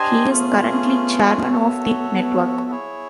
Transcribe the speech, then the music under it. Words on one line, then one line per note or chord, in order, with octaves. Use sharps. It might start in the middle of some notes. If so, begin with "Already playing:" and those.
He is currently Chairman of the Network.
Already playing: D4 G4 C5 D#5 G#5
A3 B3 C#4 F4 G#4
F#4 A4 C#5 E5
B3
E4 G#4 C#5